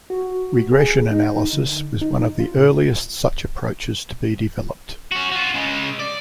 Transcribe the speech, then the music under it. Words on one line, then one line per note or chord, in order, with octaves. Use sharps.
Regression analysis was one of the earliest such approaches to be developed.
F#4
G#4
D#4
D3
D#4
F4
A#2
C#4 F#4
F4 F#4
C#3 G#3
D5